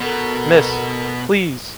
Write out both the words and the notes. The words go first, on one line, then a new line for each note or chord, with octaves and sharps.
Mrs!... Please!...
B2 B3 A4 A#4